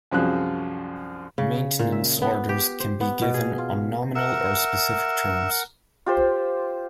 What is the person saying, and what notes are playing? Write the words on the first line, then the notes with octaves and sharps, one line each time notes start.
Maintenance orders can be given on nominal or specific terms.
C2 F#2 F3 F#4 G#4 F#6
C#3
A#2
E5
B3
G4
C5
B3
B2
G#4
F4
A#4 E5 F#5
F4 G4 C5